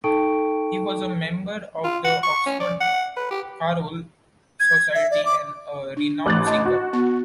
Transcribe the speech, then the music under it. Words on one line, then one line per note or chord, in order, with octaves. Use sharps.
He was a member of the Oxford Choral Society and a renowned singer.
D#4 A4 G5 A5 C#6 D7
F4
F#5
C#6
C#4
D5
F#5
B4
G4
G#6
E5
D5
D6
D4
A1 F#6 A6
D#5 A5
F#4
B3 C#6